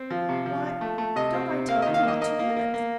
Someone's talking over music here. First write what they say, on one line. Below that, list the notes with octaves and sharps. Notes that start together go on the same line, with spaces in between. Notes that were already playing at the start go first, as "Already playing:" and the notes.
Why, don't I tell you, not two minutes.
Already playing: C4
F3
C3
F3
F3
A3
A3
C3 D#5
C4
C3
A#3 F5
D#5
D#3
F5
A#3 D#5
A#3 D#5
A#3
A#3
A#3